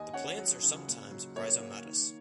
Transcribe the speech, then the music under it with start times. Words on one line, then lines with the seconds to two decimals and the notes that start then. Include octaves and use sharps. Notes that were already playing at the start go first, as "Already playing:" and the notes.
The plants are sometimes rhizomatous.
Already playing: D#2 D#5 G#5
0.13 C#4 C#5 F#5
0.38 F#3
0.63 C#3
0.88 A#2
1.11 F#3
1.36 A#3 C#5
1.60 A#3
1.85 D#3